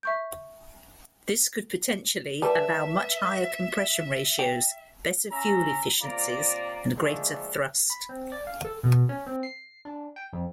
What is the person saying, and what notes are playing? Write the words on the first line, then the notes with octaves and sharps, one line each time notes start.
This could potentially allow much higher compression ratios, better fuel efficiencies, and greater thrust.
E5 C#6 G6
G3 A#4 B4 E5 A5
G5
C#4 E5 A#5
C3 A#3 F4 D5 A#5
G#2 D3 F3 A3 A#3
B5
C4
D5
F5
A4
B2
C#4
C4
C7
D4
G5
F2